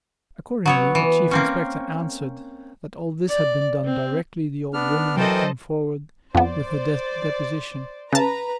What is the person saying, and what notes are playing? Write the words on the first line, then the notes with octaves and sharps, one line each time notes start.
Accordingly the Chief Inspector answered that all this had been done directly the old woman had come forward with her deposition.
F#3 B3 C#5
E3
A#3 C4 C#4
D5
C4
B3 D4 F6
E3 F#3 A4 A#4 C5 D#5 G5
F2 B3 C5 D5
C#3 B4 A5 A#5